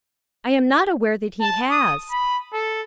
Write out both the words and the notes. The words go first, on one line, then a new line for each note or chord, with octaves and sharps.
"I am not aware that he has."
A5
D#6
B5
A4